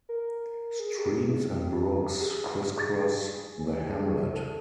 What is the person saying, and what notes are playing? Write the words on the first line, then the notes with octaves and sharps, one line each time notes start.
Streams and brooks criss cross the hamlet.
A#4
G#4
G4
G#4
G4
G#4
G#4
G4
G#4
A4